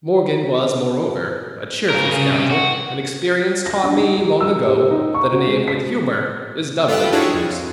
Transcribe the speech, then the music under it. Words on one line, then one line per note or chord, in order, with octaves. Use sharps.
Morgan was, moreover, a cheerful scoundrel, and experience taught me long ago that a knave with humor is doubly dangerous.
C#3 A#4
C#3
C3 C#4
F#4
A#6
D4
D#4
G4
E6
G4
D#4
C#6
F#4
G#3
B6
F4 A4 B4 F5 G5
D4 E4 F#4 G#4 C#5
F2